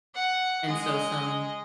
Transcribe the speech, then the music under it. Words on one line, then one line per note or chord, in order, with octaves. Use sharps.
And so some
F#5
G#3 D#5